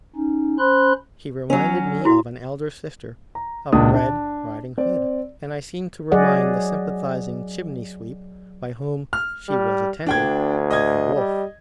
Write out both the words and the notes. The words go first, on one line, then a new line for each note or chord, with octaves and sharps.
She reminded me of an elder sister of Red Riding Hood, and I seemed to remind the sympathising Chimney Sweep by whom she was attended, of the Wolf.
C#4 D#4
C#4 C5 B5 C6 F#6
F#3 C#4
E4 F#4
A#5
C#2 A#2 D4 D#6
D4
C4 D5
F#3 G#4 D5 D#5 F#5
F6
G3
D2 D4 G5 G#6
D#5 D#6 G#6
G3